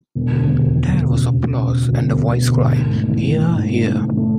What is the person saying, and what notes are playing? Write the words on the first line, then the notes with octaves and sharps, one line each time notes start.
There was applause, and a voice cried: "Hear, hear!"
E1
D2
E1
E1
D2
E1
C#3
E1
E1
C#3
C#3
D2
E1
E1
D2
D2
G#2
G#2
A3
E3
A3
G#2
G#2
A3
A3
G#2
A3